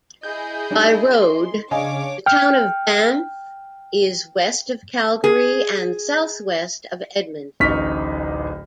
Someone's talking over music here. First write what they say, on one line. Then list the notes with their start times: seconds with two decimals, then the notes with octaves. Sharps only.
By road, the town of Banff is west of Calgary and southwest of Edmonton.
0.23 E4 G#4 D#5 G6
0.70 G3 D4 D#4
1.22 C6
1.71 C#3 D4 C#5 D#5 F5 G#5 D6
2.26 G5 F6
5.24 G#4
7.60 D1 A1 D#4 C#6 F6 B6